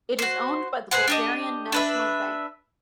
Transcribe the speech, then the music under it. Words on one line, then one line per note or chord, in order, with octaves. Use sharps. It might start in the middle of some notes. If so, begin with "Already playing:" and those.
It is owned by the Bulgarian National Bank.
F#4 C5
G#4 B4 C5 F#5
D4 G4 D#5
D4 B4 E5